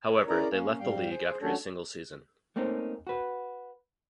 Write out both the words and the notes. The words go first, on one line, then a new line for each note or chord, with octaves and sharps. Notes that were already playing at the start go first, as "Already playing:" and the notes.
However, they left the league after a single season.
A#4 C#5
C#4 E4 G#4 A#4 D5 A#5
A#3 C#4
G#2 G3 F5 G5
G#4 C5
F#3 A3 C#4 D4 A4 C#5
A3 A#3 C4 C#4 D#4
F#4 B4